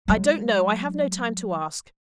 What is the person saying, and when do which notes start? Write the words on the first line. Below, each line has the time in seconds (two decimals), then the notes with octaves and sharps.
'I don't know,--I have no time to ask.
0.08 F#3 G#3